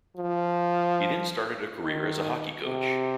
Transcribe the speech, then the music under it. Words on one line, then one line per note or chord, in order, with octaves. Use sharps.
He then started a career as a hockey coach.
F3
D#3
C3